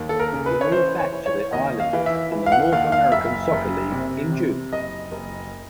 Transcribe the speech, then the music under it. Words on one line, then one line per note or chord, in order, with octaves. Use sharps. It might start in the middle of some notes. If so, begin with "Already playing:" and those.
He moved back to the Islanders in the North American Soccer League in June.
Already playing: D#2
A4
A#4
C#3
B4
C#5
E3 C5
C#5
E3
C#5
D#2 D#5
F5
E3
E5
E3
F5
F#5
D#2 F5
F5
F#1 E5
F#1
C3
C3
F#1 D#5
F#1